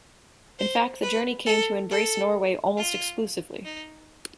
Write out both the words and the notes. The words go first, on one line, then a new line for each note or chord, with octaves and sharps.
In fact, the journey came to embrace Norway almost exclusively.
C5
B4
A4
A4
F4
D#4